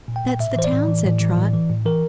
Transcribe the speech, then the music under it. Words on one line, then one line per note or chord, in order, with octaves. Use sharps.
"That's the town," said Trot.
A#2
G5
A#2
A2 E5
E3 C5
D5
A2
E3
A2
E3
A2
E3
A2
E3 A#4